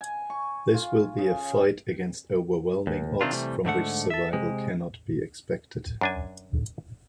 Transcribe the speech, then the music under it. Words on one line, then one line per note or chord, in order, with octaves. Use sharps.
This will be a fight against overwhelming odds from which survival cannot be expected.
G#5
C#6
F4
C#3
D#2
C3 D#3 C4 D4 F4
C3 E3 G3 A3
G#2 D3 A3 F#5
A4 E5
C3 G#3
F#2 D4 G#5